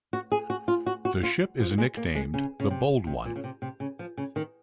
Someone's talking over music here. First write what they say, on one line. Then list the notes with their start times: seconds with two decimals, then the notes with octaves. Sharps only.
The ship is nicknamed "The Bold One".
0.13 F#4
0.32 G#4
0.50 F#4
0.68 F4
0.86 F#4
1.05 F#4
1.23 F4
1.60 F3
1.71 A#3
1.78 G#3
1.97 A#3
2.15 G#3
2.34 C#3
2.60 C#3
2.70 C3
3.07 C3
3.25 A#2
3.36 C#3
3.44 C3
3.62 C3
3.80 C#3
3.99 F3
4.17 C#3
4.36 D#3